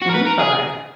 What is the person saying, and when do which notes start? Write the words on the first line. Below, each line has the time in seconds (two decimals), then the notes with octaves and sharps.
Mhm, bye-bye.
0.02 F#4
0.09 A#4
0.14 B4
0.27 A#4
0.39 G#4